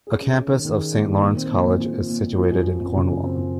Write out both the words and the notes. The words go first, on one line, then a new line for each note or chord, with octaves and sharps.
A campus of St. Lawrence College is situated in Cornwall.
G#4
C#4
C#4
D#3
D#3
G#4
A#3
D#3
A#2
C4
A#2
A#2
F3
F3
A#2
F3
F3
F#2
C4
F#2
C#3
F#2
C4
F3